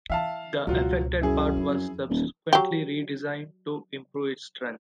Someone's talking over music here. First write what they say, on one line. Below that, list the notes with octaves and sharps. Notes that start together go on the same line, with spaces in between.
The affected part was subsequently redesigned to improve its strength.
E3 E5 F5 A5
C#2 B2 F#3 F4 F#4
F#2 E4 G#4
F2 F3
D#1
F#3 G4